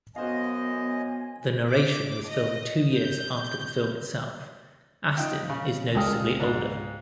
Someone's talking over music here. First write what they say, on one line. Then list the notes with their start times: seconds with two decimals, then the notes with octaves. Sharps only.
The narration was filmed two years after the film itself; Astin is noticeably older.
0.16 F#2 B3 F#4 C5 D#5 F5 G#5
1.71 D6
2.27 D#5
2.93 G6
5.17 D#4 F4 G5
5.50 C#3
5.95 C#2 G#3 A4 A#4 G5 D#6
6.40 G#2